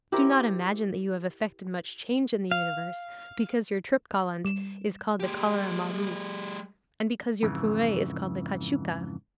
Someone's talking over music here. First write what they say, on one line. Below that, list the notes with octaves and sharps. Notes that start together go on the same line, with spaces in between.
Do not imagine that you have effected much change in the universe, because your trip-gallant is called the cholera-morbus, and because your pourree is called the cachuca.
E4 G4 A#4 C5
F5
G3 E7
G#3 G4
F2 G#2 C#3 E3